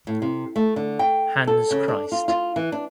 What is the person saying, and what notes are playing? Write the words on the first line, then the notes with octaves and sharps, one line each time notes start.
Hans Christ.
A2
C3
A3
D3
G5
A4
C#3
D4
F4
F4
E3
D4